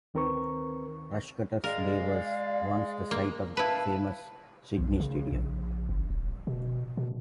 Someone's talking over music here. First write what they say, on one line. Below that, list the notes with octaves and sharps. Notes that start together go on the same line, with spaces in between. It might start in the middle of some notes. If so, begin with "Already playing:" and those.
Rushcutters Bay was once the site of the famous Sydney Stadium.
D2 D#3 C4 A#4 B4 C#6
G#3 A#4 D5 F5
A#3
E4 B4 F5 A5
B1
C#3
A#1
G1
D#1
B2
B2